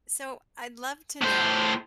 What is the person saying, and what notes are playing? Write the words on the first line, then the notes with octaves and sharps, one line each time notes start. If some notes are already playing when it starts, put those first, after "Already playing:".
So, I'd love to know
A2 C5